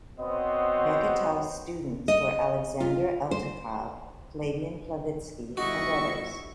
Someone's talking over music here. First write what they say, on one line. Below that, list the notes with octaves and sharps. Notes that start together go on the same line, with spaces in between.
Beketov's students were Alexander Eltekov, Flavian Flavitsky and others.
B3 C4 F#4 C5 C#5 D#5
D#5
F4
C5
G1 E4 F#4 D#5 C#6